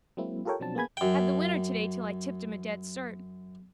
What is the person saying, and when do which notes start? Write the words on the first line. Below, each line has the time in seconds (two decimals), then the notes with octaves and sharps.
Had the winner today till I tipped him a dead cert.
0.17 F#3 G#3 A#3 C4 E4
0.45 F4 G4 A4 A#4 C#5 G5
0.60 B2 F3 F#3 C4 D4 A5
0.75 A#3 B3 G#4 G#5 B5 G#6
0.97 F#2 G5